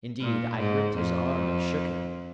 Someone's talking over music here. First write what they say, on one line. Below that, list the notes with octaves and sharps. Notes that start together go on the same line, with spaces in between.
Indeed I gripped his arm and shook him.
A#2
G#2
F2